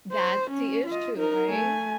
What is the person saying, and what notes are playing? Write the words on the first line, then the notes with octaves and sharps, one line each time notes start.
That's the issue, right?
C5
C#4
F4 D#5
D#4 A#4
A3 G#5